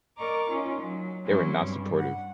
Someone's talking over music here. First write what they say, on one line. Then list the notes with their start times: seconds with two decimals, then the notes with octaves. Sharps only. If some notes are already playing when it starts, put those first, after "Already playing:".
they were not supportive.
0.17 A#4 D5 D#5 A#5 C#6 D6
0.50 C#4 D#4 F4
0.83 F#3
1.24 F#3 G3 C4 C#4 E4
1.61 G2 G3
1.96 F#5